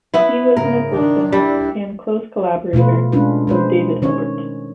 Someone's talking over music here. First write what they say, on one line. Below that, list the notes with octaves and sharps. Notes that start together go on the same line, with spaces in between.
He was an assistant and close collaborator of David Hilbert.
B3 E4
G#2 C#3 A#4
D#3 D4
G3 D4 E4
B2 A3 F4 B4
G#3 C#4 D4 F4 B4
G#3 B4 C5
D#3 C#4 C#5